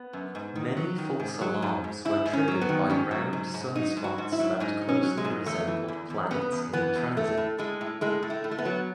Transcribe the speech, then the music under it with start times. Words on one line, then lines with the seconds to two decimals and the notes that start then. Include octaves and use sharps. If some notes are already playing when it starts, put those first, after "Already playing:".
Many false alarms were triggered by round sunspots that closely resembled planets in transit.
Already playing: B3
0.13 F#2
0.35 G#2
0.55 D#3
0.77 F#3
0.98 D#3
1.20 G#2
1.41 F#3
1.62 G#2
1.84 G#2
2.05 G#2 E4
2.26 G#2
2.33 C#4
2.48 F#3
2.61 B3
2.69 D#3
2.90 G#2 C#4
3.11 F#3
3.33 G#2
3.54 G#2
3.75 F#3 D#4
3.97 G#2
4.04 F#4
4.18 G#2
4.32 E4
4.39 F#3
4.60 G#2 D#4
4.81 F#3
4.89 C#4
5.03 F#3
5.18 G#3
5.25 G#2
5.46 E2 A3
5.67 E3
5.88 E2
6.10 E2
6.31 C#3 B3
6.52 E2
6.73 E3 B3
6.96 E2
7.17 A2 A3
7.37 A2
7.58 A2 G#3
7.81 A2
8.01 A2 G#3
8.23 A2
8.30 A3
8.44 A2
8.51 A3
8.58 B3
8.65 F#3